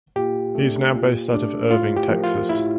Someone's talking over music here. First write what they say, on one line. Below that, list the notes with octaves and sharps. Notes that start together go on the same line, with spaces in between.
He is now based out of Irving, Texas.
A#2 G4
A3 D4
A#2
A3 D4
A2 F4
G4
F3 A3 E4 A#4
F4
A2 E4